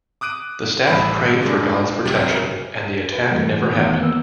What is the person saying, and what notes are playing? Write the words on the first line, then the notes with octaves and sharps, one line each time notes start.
The staff prayed for God's protection, and the attack never happened.
D6 D#6 F#6 D7 D#7
A1 G3 B5
G2 A#2 G#3 D4
C2 C3 F#3 G4 A6
C#3 C#4 A#4 E5
A#4 B4
F#2 E3 G3 A3 A#3
D#3 E3 A3 B3
A#3 B3 E6